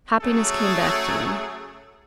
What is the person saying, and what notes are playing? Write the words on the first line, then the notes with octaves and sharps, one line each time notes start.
Happiness came back to me.
C#3 F#3 A3 G#4 A4